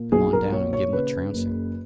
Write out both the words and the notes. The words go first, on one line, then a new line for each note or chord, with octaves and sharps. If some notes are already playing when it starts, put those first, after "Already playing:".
"Come on down, and give 'em a trouncing."
Already playing: A#2
B1 G#4
A#4
A#2 C#5
C#5
C#3 B4
F#1